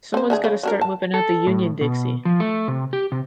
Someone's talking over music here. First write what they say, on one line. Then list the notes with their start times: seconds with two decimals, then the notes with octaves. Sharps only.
Someone's gotta start whipping out the union Dixie.
0.14 C4 C5
0.30 D3 A3 G#4
0.44 C#3
0.63 F#3 D4 A#4
0.81 A5
1.14 A4
1.47 A2
1.81 B2
2.25 F3
2.40 A3
2.68 C3
2.93 G4
3.12 C3